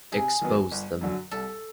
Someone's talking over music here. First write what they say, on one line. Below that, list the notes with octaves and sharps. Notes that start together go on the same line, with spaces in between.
Expose them.
C3 G#4
D#3 F#3 B3
G1
F#2 D3 F#3
C2 A4